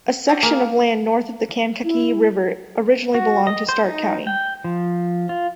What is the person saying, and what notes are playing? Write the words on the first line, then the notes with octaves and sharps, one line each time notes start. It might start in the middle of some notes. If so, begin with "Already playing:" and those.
A section of land north of the Kankakee River originally belonged to Starke County.
C4 D4 F#4
A#3 G#4 A#4
E4
F#4
D#5
C5
D#4
G5
F3
F4